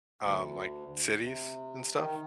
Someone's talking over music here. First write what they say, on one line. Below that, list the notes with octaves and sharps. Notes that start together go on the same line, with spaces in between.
um, like, cities and stuff
D2
C3
D#3